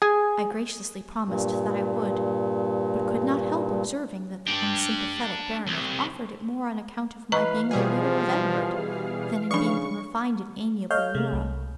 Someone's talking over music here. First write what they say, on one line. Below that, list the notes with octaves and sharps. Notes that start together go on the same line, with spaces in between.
I graciously promised that I would, but could not help observing that the unsimpathetic Baronet offered it more on account of my being the Widow of Edward than in being the refined and amiable Laura.
G#4 G#5
G2 A#2
D4 G5
C2
E3 B4 D#5 F5 A#5 C#6
B2 F3 G3 G#4
C#3 F3 D4 C#6
A4 C#5 D#5 F5 F6 G6
C3 G#3 A3
C2